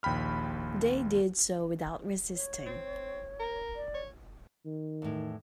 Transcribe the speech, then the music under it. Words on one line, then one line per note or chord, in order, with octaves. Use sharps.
They did so without resisting.
A#1 D#2 G5 B5 F6
C#5
C4
A#4
D5
C#5
D#3
E2 A2